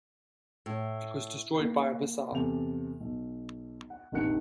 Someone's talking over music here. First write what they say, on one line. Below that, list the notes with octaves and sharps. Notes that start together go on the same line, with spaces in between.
It was destroyed by a missile.
A2
A#3 C7
E2 C3 A4 F7
B1
F#5
F1 A#1 D#3 F#5 F#6 C#7